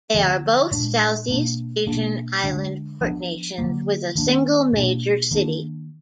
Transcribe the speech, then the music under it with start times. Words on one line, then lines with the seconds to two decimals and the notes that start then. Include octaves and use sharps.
They are both Southeast Asian island port nations with a single major city.
0.14 D3 F3 G#3 B3
0.71 A#2 G#3 D4
1.28 B2 A#3 D4
1.86 B2 A#3 D4
2.44 D3 G#3 D4
3.01 F3 B3 D4
3.58 D3 F#3 A#3
4.15 D#3 A#3 D4
4.73 B2 A#3 D4
5.31 D#3 A#3 D4